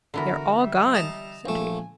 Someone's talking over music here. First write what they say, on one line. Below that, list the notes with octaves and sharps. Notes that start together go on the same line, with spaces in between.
"They're all gone," said he.
D3 E3 B3 F#4 A#4
G3 E5
D#5 A5 A#5
A#1 A3 G#5